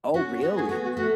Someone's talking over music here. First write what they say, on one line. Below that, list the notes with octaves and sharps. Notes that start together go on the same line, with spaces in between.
Oh, really?
C#4 F#4
B3 F#4
G#4
A3
B3 F#4
F#4
A3 F#4